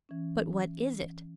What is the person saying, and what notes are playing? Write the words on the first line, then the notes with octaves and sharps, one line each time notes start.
"But what is it?"
E3 C#4